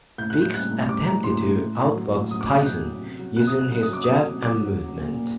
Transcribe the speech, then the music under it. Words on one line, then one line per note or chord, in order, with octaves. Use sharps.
Biggs attempted to outbox Tyson, using his jab and movement.
A2 G6
F#6
A2
G6
G3 F#6
A2
G3 D6
A2 A#5
A2 C6
A2
A2
A2
F#3
A2
F#3 D#6
D6
F#3 D#6
F#6
F#3 G6
F#3
C3
F#3
C3 F#6
D#6
C3 F#6
F#3 F#6
D#6
F#3 D6
F#3 D#6
C3
F#3 D6
F#3
F#3
A#2
A#2